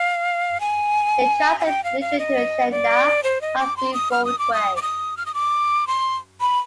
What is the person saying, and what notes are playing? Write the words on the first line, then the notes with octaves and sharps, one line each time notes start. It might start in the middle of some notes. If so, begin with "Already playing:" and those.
It translates literally to Shenda high-speed roadway.
Already playing: F5
G#5
G#5
G5
F5
F5
D#5
D5
C5
D#5
D6
C6
D#6
F6
D#6
D6
D#6
D6
D#6
F6
D#6
D6
C6
B5